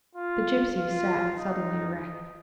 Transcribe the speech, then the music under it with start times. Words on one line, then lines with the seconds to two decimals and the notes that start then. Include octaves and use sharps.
The gipsy sat suddenly erect.
0.15 F4
0.77 F4
1.37 D#4